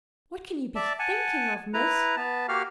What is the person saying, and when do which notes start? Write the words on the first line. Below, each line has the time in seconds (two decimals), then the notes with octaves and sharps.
What can you be thinking of, Miss?
0.75 D5 E5 A5
0.99 F#5 G#5 A5
1.74 E4 B4 A#5
2.17 B3 A5
2.49 A#3 F#4 G4 F5 F6